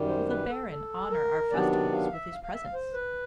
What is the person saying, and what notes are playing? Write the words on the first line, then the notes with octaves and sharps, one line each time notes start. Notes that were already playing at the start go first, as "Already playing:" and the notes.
"Will the Baron honor our festivals with his presence?"
Already playing: F#2 D#3 G3
C5
B4
A4
A4
A#4
C3 D#3 F#3 B3 D4 D5
D5
F5
E5
F5
F5
E5
F5
C5
B4